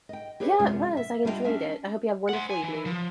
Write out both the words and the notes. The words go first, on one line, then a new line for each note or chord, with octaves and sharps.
Yeah, it was, I enjoyed it, I hope you have a wonderful evening.
D#5 G5
G4 G#4 B4 C#5 D#5
F#2 C3 G#3 C#4 F4
E5
G3 D4 E4 F4 D#5 G5
C#4 D4 E5 G#5
C5 F#5
G#5
E3
F3